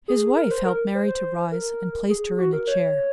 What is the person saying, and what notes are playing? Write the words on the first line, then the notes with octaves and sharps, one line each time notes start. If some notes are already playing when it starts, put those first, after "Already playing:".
His wife helped Mary to rise, and placed her in a chair.
G#4
A#4
C5
A#4
C5
C5
A#4
G#4
F#4
A#4
C#5